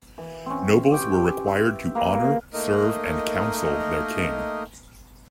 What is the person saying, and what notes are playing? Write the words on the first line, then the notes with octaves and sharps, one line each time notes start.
Nobles were required to honor, serve, and counsel their king.
E3
C4 C#4
G4 G5
E5 C6
A#3 B4
A3 A#3 D#4 A#4 D#5